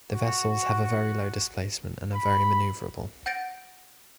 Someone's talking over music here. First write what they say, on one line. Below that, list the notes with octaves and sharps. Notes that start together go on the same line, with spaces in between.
The vessels have a very low displacement and are very maneuverable.
F#4
B5
F#5 G6 A6 A#6 D7